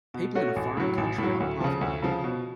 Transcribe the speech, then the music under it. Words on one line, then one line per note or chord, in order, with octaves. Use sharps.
People in a foreign country on a pathway.
B2
A3 C#4 F#4
A1
A2 F#3
A1
A2 F#3
D2
C#3 F3
D2
C#3 F3
B2